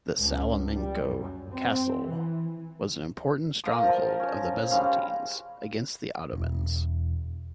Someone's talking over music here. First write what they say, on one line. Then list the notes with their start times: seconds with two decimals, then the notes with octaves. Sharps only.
The Salmeniko Castle was an important stronghold of the Byzantines against the Ottomans.
0.16 C#2
0.75 G3
1.05 F#2
1.51 C4
1.97 E3
3.64 A#4 F5 D#6
3.83 F3
4.20 C#4
4.71 G3 G#3 C#4 F5
6.33 E1